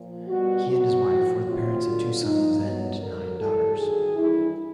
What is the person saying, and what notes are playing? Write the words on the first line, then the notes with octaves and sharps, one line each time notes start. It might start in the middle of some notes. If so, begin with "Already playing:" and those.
He and his wife were the parents of two sons and nine daughters.
Already playing: A#2 F3
B2 G3 F#4
B2 F#3 F#4
A2 F3
F2 C3 D#3 F#3 F4
G2 D3 F#3
A#2 F3 D#4
E2 B2 F#3
F2 D3 F#3 A#4
A2 E3 G3 A4
G2 D#3 F#3 G#4
G2 E3 G3 E4